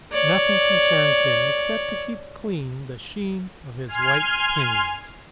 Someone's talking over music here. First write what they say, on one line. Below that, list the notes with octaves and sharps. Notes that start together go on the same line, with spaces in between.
Nothing concerns him except to keep clean the sheen of his white pinions.
C#5 D5
G#5 C6 F6 G#6